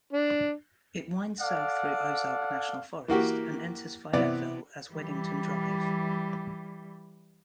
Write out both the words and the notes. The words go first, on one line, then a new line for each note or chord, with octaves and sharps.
It winds south through Ozark National Forest and enters Fayetteville as Wedington Drive.
D4
A4 D5 F5 F#5
E3 A#3 F#4 G4
C3 E3 B3 E4 D5
E3 G3